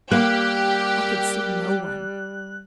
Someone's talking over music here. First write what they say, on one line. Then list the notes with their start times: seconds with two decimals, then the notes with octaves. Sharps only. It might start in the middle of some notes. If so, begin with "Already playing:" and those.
"I could see no one."
0.11 G3 A#3 G4 F#6